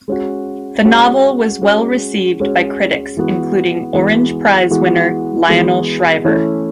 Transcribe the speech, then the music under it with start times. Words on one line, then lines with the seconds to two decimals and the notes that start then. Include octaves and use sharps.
The novel was well received by critics including Orange Prize winner Lionel Shriver.
0.08 G#3 C#4 F#4
0.85 G#3 C#4 F#4
1.62 G#3 C#4 F#4
2.40 G#3 C#4 F#4
3.17 E3 G#3 B3 F#4
3.94 E3 G#3 B3 F#4
4.71 E3 G#3 B3 F#4
5.48 E3 G#3 B3 F#4
6.25 E3 A3 C#4 E4